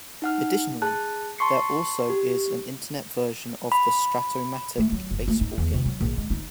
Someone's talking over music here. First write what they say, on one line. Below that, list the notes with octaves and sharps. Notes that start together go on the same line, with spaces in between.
Additionally, there also is an Internet version of the Strat-O-Matic Baseball game.
D#4 F#5 F6
G#4 A5 F#6
A5 C6 C#6 C7 C#7
G4
B5
A3
F#3
F#1
A3
D#4
E2
C3
F#3
A#1
G#3
D#4